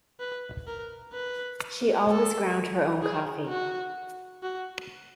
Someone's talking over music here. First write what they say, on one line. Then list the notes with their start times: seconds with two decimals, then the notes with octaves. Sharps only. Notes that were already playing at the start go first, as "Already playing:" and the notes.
She always ground her own coffee.
0.20 B4
0.67 A#4
1.13 B4
2.09 A4
3.02 G#4
3.49 F#4
4.43 F#4